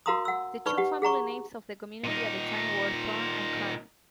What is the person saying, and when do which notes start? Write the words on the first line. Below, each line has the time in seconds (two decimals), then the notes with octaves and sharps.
The two family names of the community at the time were Thorne and Crann.
0.06 F#4 A#4 F5 A#5 C6 D#6
0.25 F#5 E6
0.66 D#4 B4 D5 B5 C#6
0.78 G4 F#5
1.02 G#4 F#5 A#5 C#6
2.04 A#2 D#4